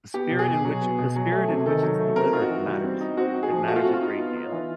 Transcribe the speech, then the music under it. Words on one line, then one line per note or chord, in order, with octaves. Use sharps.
The spirit in which i the spirit in which it's delivered matters. It matters a great deal.
B3 G4
B2
G#4
B2
F#3
B3
B2
F#3
A3
C3
D#3 A4
F#3
A3
C4 A#4
D#4 F4
F#4
E3
G3
C4
D#4
C4 F#4
D#4
G#4
F3
A3 F#4
F4
C4 F#4
F4
D#4
B3
D#4
E3